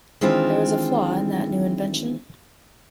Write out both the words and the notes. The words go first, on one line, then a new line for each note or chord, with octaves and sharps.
There is a flaw in that new invention.
D#3 E3 G#3 C4 D4 F4